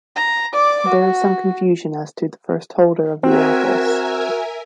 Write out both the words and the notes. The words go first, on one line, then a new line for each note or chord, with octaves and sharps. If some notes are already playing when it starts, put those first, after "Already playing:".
There is some confusion as to the first holder of the office.
A#5
D5 D6
F#4
C4 F#4 A#4 E5 G#5